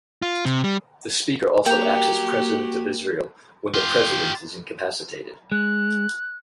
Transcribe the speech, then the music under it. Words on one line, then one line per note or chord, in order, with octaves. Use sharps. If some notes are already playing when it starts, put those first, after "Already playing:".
The Speaker also acts as President of Israel when the President is incapacitated.
F4
C3
G3
A#3 F#4 G4 G5 A#5
F4 G4
G#3 F#6